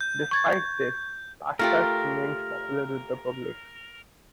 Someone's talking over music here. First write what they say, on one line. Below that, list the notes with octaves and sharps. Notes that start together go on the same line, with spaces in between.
Despite this, Paksas remained popular with the public.
G6
C#6 G#6 A6
A3 F4 G4 A#4